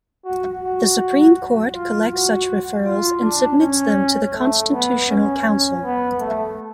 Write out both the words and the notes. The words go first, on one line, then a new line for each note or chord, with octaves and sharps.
The supreme court collects such referrals and submits them to the Constitutional Council.
F#4
F#4
F4
F#4
F4
D4
C#4
A3
B3
C#4
C#4
B3
A3